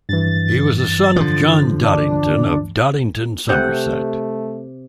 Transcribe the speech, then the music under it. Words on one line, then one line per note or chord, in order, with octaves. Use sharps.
He was the son of John Dodington of Dodington, Somerset.
G2 E3 A6
D3 F3
D4
C3 A3 F#5 F#6 G6